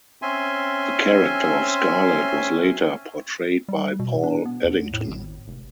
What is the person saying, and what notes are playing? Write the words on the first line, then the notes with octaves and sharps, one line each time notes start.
The character of Scarlet was later portrayed by Paul Eddington.
C4 C#4 E5 G#5 C6
G3
B2
D4
B3
E2
A2
G#1
F1